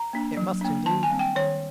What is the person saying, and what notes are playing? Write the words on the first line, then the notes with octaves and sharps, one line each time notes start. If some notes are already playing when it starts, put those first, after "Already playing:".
It must indeed.
Already playing: A#5
A#3 D4
F#3
A#3 D4
D#3 A5
G#5
G3 C4
G5
D#3 C#5